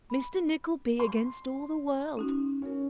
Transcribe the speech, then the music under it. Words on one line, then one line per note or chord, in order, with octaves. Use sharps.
Mr Nickleby against all the world.
B5
C6
C#4 D#4 F#4
C#4 F#4 A#4